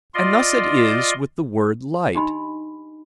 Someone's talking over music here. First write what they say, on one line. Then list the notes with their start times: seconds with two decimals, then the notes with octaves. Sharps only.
And thus it is with the word light.
0.14 F4 D5 D#5 C6
2.15 D4 D#4 G4 D#5 G#5 B5